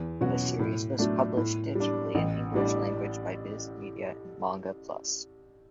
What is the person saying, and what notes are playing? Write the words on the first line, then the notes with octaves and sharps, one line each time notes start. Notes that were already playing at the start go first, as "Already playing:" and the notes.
The series was published digitally in English language by Viz Media and Manga Plus.
Already playing: E2
B2 F#3 C#4 F#4
A2
F#3 A3 D4
A2
G3 D4
A1
A2 G3 D4